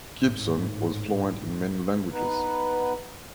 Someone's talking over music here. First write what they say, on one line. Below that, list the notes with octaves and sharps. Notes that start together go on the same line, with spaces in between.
Gibson was fluent in many languages.
G#1 A2
B3 D#4 B4